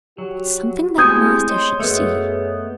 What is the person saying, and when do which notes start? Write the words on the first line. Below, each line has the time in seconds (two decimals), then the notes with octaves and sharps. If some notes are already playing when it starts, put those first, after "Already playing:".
"It's something that master should see."
0.18 F#3 F#4 G4
0.98 G#3 A3 B3 C4 E4 D#6 G6 G#6
1.49 C5 C#5 D#5 C6
1.80 F#2 A3 B3 G#4 C#5 D#5